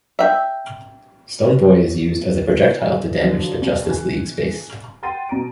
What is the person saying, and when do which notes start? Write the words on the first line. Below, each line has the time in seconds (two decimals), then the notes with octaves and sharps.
Stone Boy is used as a projectile to damage the Justice League's base.
0.19 E5 G5
2.88 G#4
3.20 D3 F3 F#3
3.62 D#2 B2 A#3
3.89 G#5 F#6
5.03 F#5 G5 C6 A6 D#7
5.29 B2 A#5 D7